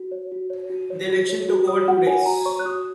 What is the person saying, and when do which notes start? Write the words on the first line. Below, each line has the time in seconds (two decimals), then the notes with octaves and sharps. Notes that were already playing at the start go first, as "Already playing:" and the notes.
The election took over two days.
Already playing: F#4
0.11 C#5
0.32 F#4
0.50 C#5
0.70 F#4
0.90 C#5
1.09 F#4
1.29 C#5
1.48 F#4
1.67 C#5 D#6
1.88 F#4 F#5
2.06 C#5 G#5
2.26 F#4 A#5
2.45 C#5 C#6
2.59 F#6
2.65 F#4 D#6